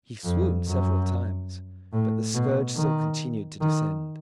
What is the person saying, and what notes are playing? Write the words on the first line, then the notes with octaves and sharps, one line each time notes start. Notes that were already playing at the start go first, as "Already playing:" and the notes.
He swooned several times; but the scourge still continued to descend.
F2
F#2
A2
B2
D#3
D#3